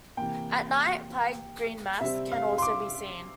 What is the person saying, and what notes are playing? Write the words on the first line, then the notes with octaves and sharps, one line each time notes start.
At night, Pye Green mast can also be seen.
C3 E3 A#3 G5
C3 G3 C4 E5
F5
C6
D6